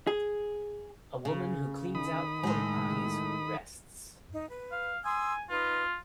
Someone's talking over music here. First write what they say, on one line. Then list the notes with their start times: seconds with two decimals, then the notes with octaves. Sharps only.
A woman who cleans out portapotties rests.
0.07 G#4
1.25 C#3
1.95 D#3 B5 D#6
2.43 A2 G#3
4.33 D#4
4.50 B4
4.71 F5
5.05 G#5 C6 D#6 E6
5.50 D#4 F4 B4